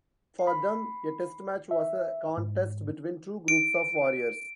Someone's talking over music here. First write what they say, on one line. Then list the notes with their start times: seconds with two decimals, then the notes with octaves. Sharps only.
For them, a Test match was a contest between two groups of warriors.
0.47 B5
1.71 E5
2.37 G#2
3.48 D7